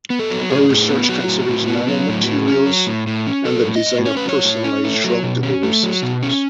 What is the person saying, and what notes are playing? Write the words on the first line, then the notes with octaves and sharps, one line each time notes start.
Her research considers nanomaterials and the design of personalised drug delivery systems.
B3
A4
F#3
A2 G#4
A2
B3
F#3 F#4
A2
A2
B3
F#3
A2
A2
C#4
F#3
A2
A2
C#4
F#3 A4
A2
D#5
A2
C#4 C#5
B4
F#3 C#5
A2
C#4
A3
F#3
B2
C#4
A3
F#3
B2
C#4